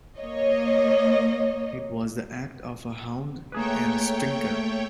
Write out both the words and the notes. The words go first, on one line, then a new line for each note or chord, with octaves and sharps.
It was the act of a hound and a stinker.
A#3 C#5 D#5
A3 A#3 G#4 B4 C#5 G5